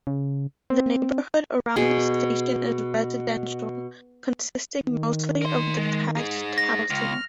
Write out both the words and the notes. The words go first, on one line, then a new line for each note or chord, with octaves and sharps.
The neighborhood around the station is residential, consisting mostly of detached housing.
C#3
C4
B2 G#4
D#3
A#4 C6
G#3
D#4 G#4
A#6
C#2 F6